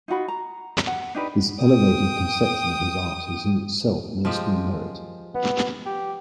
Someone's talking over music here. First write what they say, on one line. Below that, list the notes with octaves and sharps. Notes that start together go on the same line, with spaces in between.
This elevated conception of his art is in itself no small merit.
D#4 F4 F#4 B5
A#5
F#5
D4 D#4 G4 B4
G5 D#6
F3 G#3 G4
B3
G4